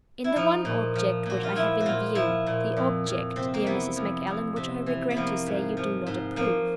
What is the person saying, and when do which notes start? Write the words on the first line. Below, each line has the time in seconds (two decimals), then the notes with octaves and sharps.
"In the one object which I have in view--the object, dear Mrs. Macallan, which I regret to say you do not approve."
0.24 E4
0.36 F3 D#4
0.65 A#2
0.95 F3
1.26 A#2 F#4
1.43 F4
1.56 F3 E4
1.80 F#4
1.86 A#2 F4
2.15 F3 E4
2.46 A#2
2.77 F2
3.07 F2
3.36 C3 C4
3.54 A#3
3.66 E3 B3
3.96 F2
4.27 F2
4.56 C3
4.86 E3
5.10 B3
5.16 F3 A#3
5.46 G#2
5.77 F3
6.07 G#2
6.36 F3 A#3